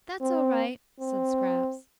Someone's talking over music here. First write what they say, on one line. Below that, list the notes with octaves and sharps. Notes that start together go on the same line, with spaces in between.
"That's all right," said Scraps.
C4
C4